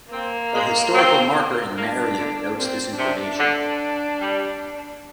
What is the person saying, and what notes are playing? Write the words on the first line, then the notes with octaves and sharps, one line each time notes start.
A historical marker in Marion notes this information.
A#3 C4
G#3
C4
A#3 D4
D3
A#2 C4
C3 D4
D3
G3